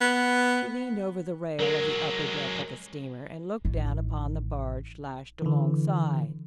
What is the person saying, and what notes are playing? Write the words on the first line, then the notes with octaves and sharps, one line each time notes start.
He leaned over the rail of the upper deck of the steamer and looked down upon the barge lashed alongside.
B3
F#3 G#3 A#4
A1 D#3
D3 E3